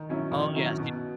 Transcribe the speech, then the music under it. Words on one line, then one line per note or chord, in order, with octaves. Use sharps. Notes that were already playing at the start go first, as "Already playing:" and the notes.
Oh, yes, ye
Already playing: D#3
F#3 C#4 E4
D#3
F#3 C#4 E4
B2